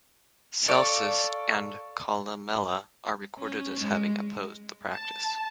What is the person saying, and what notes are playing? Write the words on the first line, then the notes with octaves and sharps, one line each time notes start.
Celsus and Columella are recorded as having opposed the practice.
A4 C#5 D5 F5
C#4
G#3
A5